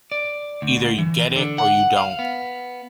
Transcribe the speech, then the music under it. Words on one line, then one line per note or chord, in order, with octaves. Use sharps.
Either you get it or you don't.
D5
D2
E3
D3
F#5
F5
B3